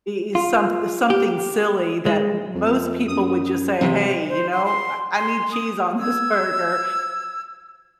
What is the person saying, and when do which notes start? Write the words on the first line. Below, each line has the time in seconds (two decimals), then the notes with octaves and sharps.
e e some something silly that m most people would just say, "Hey, you know, I I need cheese on this burger,"
0.35 F4
1.10 G4
2.06 G#3
2.55 F2
3.08 F#2 D#6
3.81 C3 E3 F#3 G#3 C4
4.29 C5
4.52 C6
4.65 C6
5.17 C6
5.52 D#6
6.00 E6 G#6